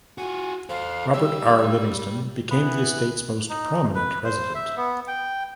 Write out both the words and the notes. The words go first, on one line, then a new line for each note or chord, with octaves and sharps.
Robert R. Livingston became the estate's most prominent resident.
F4 F#4 G#5
A4 C5 F5
G3 G4 E6
E3 B3 B5 F#6
D#4
B4
C5
E5
B3
G5